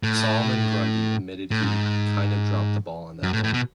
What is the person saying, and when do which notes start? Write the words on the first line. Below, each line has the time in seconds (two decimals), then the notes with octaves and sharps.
Solomon Grundy admitted he "kinda dropped the ball on that one".
0.03 A2
1.51 A2
1.63 G#2
3.23 F#2
3.33 A2
3.43 A2
3.54 B2